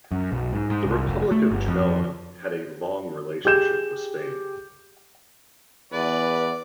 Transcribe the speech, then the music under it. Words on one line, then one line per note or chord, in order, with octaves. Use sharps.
The Republic of Genoa had a long relationship with Spain.
F#2
B1
G#2
G#2
C2
F1
A3
G1
F2
G4 G#4 G6 E7
E2 B4 D5